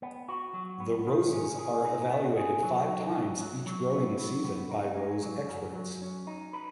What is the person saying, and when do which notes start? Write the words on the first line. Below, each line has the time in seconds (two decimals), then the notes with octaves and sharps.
The roses are evaluated five times each growing season by rose experts.
0.02 B3
0.29 F#4
0.54 F#3
0.80 B3
1.07 D#3
1.33 C#4
1.59 G#4
1.85 D#4
2.11 B3
2.37 G#4
2.63 F#3
2.88 D#4
3.16 F#3
3.41 F#3
3.67 F#3
3.93 B3
4.19 F#3
4.45 B3
4.71 D#4
4.97 G#3
5.23 F#3
5.49 F#2
5.76 F#3
6.02 C#4
6.27 D#4
6.53 B4